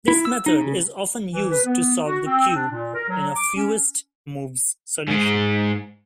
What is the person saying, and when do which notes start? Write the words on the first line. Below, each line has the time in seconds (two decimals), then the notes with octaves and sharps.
This method is often used to solve the cube in a fewest-moves solution.
0.08 E4
0.25 E6
0.46 D#4
0.61 C#3
1.30 E3
1.51 B4
1.65 B3
2.05 F#4
2.26 C4
2.55 D4
2.69 A#2
2.94 A#4
3.09 F#3
3.36 D6
3.55 C#4
5.08 G#2 G#3